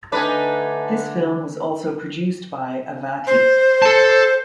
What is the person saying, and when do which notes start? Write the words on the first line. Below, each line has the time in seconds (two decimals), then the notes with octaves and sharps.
This film was also produced by Avati.
0.12 D3 A3 D4 D#4 B4 G#5
3.27 C5
3.82 A4 A5